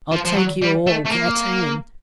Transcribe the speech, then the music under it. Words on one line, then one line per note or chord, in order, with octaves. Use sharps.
"I'll take you all, get in!"
F3
F3
F#3
G3
A3
A3
A#3